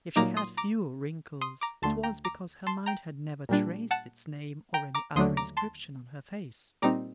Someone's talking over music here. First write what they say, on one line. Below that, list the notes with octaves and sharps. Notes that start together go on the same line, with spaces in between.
If she had few wrinkles, it was because her mind had never traced its name or any other inscription on her face.
A#2 F#3 A#3 D#4 A#5 D6
C6 D#6
A#5 D6
C6 D#6
A#5 D6
D2 D3 A3 A5 C6
G5 A#5
A#5 D6
A5 C6
G5 A#5
A#2 G3 D4
F#5 A5
G5 A#5
A#5 D6
D#2 D3 F#3 A3 D4 C6 D#6
A#5 D6
A5 C6
A#2 G3 C4 D#4 A#5 D6